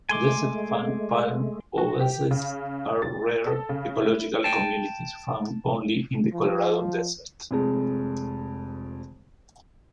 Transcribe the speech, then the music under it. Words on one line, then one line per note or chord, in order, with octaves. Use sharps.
Desert fan palm oases are rare ecological communities found only in the Colorado Desert.
G#3 A3 G#5 C6 D6
F#4
G4
C#3
A6
A4
C#3
E4
G5 A5
F3
F1 F2 G#3